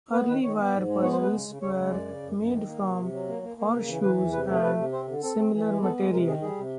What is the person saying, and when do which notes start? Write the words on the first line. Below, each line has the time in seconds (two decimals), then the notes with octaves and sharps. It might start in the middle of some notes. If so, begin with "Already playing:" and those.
Early wire puzzles were made from horseshoes and similar material.
0.12 B3 B4
0.27 D#3 B4
0.43 D#3 C#5
0.58 B3
0.72 G#2 D5
0.88 G#3
1.02 B3 C#5
1.12 C5
1.18 G#3 B4
1.32 C#3
1.48 C#3
1.62 C#3 C#5
1.78 G#3
1.92 F#2 D5
2.08 C#3
2.23 F#2
2.38 F#2
2.52 D#3
2.67 A#3
2.83 C3
2.98 C3
3.12 F#3
3.28 A#3
3.42 A#3
3.57 A#3
3.73 C#3
3.88 E3
4.02 E3 B4
4.18 E2
4.32 C3 B4
4.48 A3
4.62 C3 B4
4.77 C3
4.92 C4 C5
5.08 D3
5.22 C4 A4
5.37 C4
5.52 E3
5.67 G#3
5.82 B3 A4
5.98 G#3
6.13 C3 A#4
6.27 D#3 G#4
6.42 G3 G#4
6.58 C3